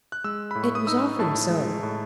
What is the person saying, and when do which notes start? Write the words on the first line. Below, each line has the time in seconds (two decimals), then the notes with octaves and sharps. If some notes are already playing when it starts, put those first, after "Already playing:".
It was often so.
0.12 F#6
0.24 G#3 E6
0.51 A2 B5
0.63 C#6
0.75 D#6
0.87 D#4 E6
1.19 A2 A5
1.50 G#3
1.83 A2